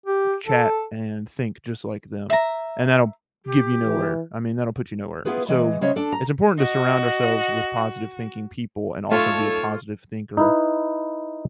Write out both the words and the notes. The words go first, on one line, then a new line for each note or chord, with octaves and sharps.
chat and think just like them, and that'll give you nowhere I mean, that'll put you nowhere, so it's important to surround ourselves with positive-thinking people and also be a positive thinker
G4
A4
E5 A#5
G4
E3
B3 E4 F4 G#4 B4
E3 G#3
C#3 G#3 C5 C#5 E5
D4 A4
A#5
F#4 D#5
F#2 A3 D#4 F4 A4 C#5 A5
D#4 E4 B4